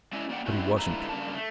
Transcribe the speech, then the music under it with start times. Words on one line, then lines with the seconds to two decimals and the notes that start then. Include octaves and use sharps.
But he wasn't.
0.13 G#3 C#4 E4 D5 D#5 G#5
0.29 A#3 C#4 D5 F#5 G5
0.46 G3 C4 C#4 E4 F#4 G4
0.77 G#2 D3 E4 F4 B4 A#5
1.09 G2 C#3 A#3 A5
1.34 A3